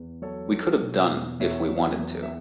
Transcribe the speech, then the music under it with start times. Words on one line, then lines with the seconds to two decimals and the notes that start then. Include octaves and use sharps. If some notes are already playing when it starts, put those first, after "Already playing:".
We could've done if we wanted to.
Already playing: E2
0.22 F#3 A4 C#5
0.52 F#3
0.82 B2
1.10 E2
1.40 E2 C#5 E5
1.70 F#3
1.99 E2
2.22 E5